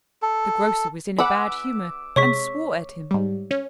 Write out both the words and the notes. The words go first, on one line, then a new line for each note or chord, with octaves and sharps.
The grocer was in a bad humor, and swore at him.
A4
F#5 B5 D6 E6
C3 G#3 C#5 C#6 B6
G#2 G3
C#4